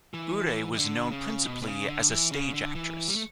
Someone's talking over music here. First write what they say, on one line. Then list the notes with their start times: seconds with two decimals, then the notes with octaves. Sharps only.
Ure was known principally as a stage actress.
0.14 E3
0.46 E3
0.72 E3
0.79 D3
1.12 C#3
1.45 B2
1.62 B2
1.66 C#3
1.88 D3
2.10 E3
2.32 C#3
2.54 D3
2.75 E3
3.08 G3
3.15 A3